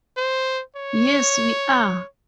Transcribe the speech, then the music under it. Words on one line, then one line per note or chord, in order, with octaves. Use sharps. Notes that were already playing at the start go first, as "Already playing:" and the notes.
Yes we are!
C5
C#5